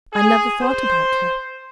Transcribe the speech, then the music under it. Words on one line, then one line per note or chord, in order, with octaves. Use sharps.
'I never thought about her.
G#4
C5